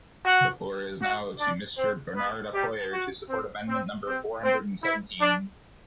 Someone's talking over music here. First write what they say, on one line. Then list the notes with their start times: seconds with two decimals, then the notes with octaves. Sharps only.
The floor is now to Mister Bernard Accoyer to support amendment number four-hundred-and-seventeen.
0.25 F#4 F#5
1.02 F#4 F#5
1.40 D4 D5
1.78 C4 C5
2.16 B3 B4
2.54 G3 G4
2.92 F#4
3.30 C4
3.68 C4
4.07 C4
4.44 C4
4.83 E4
5.21 D4